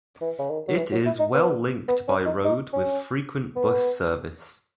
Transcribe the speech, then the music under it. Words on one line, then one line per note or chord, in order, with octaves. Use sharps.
It is well-linked by road with frequent bus service.
E3
C#3
D#3
F#3
E3
F#3
E4
D#4
B3
B3
C#4
D#4
D#4
C#4
B3